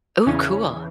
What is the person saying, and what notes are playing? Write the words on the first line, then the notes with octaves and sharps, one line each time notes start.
Ooh, cool.
E2 C#3 E3 C#4